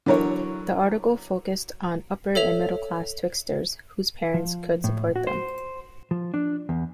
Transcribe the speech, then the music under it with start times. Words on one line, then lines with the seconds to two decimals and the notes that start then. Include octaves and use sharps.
The article focused on upper- and middle-class Twixters whose parents could support them.
0.06 D3 E3 F#3 A#4 C#5
2.35 A4 C#5 E5 F7
4.34 F3
4.84 A2
5.16 F#4
5.27 C5
6.11 F3
6.34 D4
6.69 E2